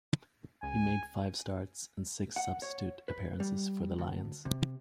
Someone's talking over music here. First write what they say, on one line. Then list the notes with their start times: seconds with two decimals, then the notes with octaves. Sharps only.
He made five starts and six substitute appearances for the Lions.
0.63 C#2 G#5
2.36 F#5
2.62 C#5
3.08 B4
3.40 G3
3.98 D2
4.45 C3